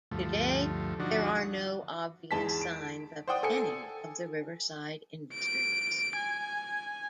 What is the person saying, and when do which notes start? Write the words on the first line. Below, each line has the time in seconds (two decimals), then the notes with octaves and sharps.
Today there are no obvious signs of any of the riverside industries.
0.12 D2 G2 F3 A3
1.00 D3 F3 F#3 D4 D#4 F#4
2.31 E2 G#3 A5 B6
2.61 D7
3.27 C5 D5 F#5 G5 D#6
3.43 A4 G#5 C#7
5.33 D7
6.16 G#5